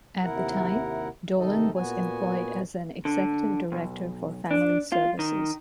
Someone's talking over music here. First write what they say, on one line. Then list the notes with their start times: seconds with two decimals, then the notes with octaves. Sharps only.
At the time, Dolin was employed as an executive director for family services.
0.23 D#2 C3 E4 A#4 F#5
1.38 D#2 C3 D#3 D#4 A4 D#5
1.75 A#2 B3 F#4 G#5
3.05 D3
3.72 B1
4.51 D4
4.92 F4
5.19 D#3